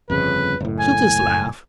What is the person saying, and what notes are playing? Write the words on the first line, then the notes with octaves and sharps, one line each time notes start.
She'll just laugh.
G1 F2 C#3 B4
F#1 A2
G#5